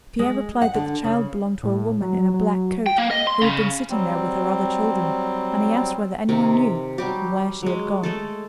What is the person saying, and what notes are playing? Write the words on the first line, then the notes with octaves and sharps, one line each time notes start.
Pierre replied that the child belonged to a woman in a black coat who had been sitting there with her other children, and he asked whether anyone knew where she had gone.
G#3
F#5
D3
C#3
A2
F#3
F#3
G5
A#3
D#5
C6
C#3
F#3 G3 C4
C3 D#3
F#3 G3 G4
F#3 G#3
G#3 A3 A4